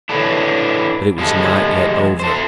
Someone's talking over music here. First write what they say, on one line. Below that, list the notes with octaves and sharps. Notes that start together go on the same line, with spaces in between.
But it was not yet over.
D4 E4 A4 B4 C#5 D5
F3 G3 G#3 A4
A4 C5